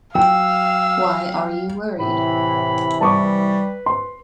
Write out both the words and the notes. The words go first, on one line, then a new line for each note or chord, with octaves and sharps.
Why are you worried?
F#3 F5 G5 E6
A2 C3 E3 E4 B5
G3 B4 A5 C#6 D6
C6